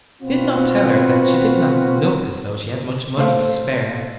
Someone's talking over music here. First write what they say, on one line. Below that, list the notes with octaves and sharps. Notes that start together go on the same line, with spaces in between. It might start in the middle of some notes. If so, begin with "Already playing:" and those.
But he did not tell her that she did not look as though she had much money to spare.
B2 C4 F4 F#4 B4
A3 C5 F5